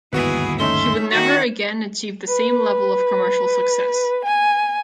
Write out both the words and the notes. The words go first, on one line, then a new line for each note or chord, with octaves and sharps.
He would never again achieve the same level of commercial success.
G1 D#2 G#2 B3 E4 F#4 G#4 B4
A3 C#4 D#4 E5 C6
D#3 F#4 F#5
B4
G#5